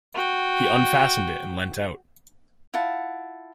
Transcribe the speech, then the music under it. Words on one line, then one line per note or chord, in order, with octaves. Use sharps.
He unfastened it, and leant out.
F#4 G5
E4 F4 F#5 A5